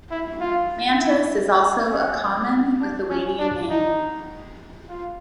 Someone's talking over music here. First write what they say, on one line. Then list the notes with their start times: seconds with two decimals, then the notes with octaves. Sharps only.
Mantas is also a common Lithuanian name.
0.11 E4
0.41 F4
1.00 E4
1.90 C#4
2.80 D4
3.10 C#4
3.39 D4
3.70 D#4
4.89 F4